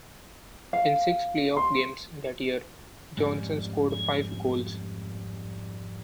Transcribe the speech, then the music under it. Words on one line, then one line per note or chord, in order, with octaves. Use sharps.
In six playoff games that year, Johnson scored five goals.
F5
C6
F2 G#2 G3 C#4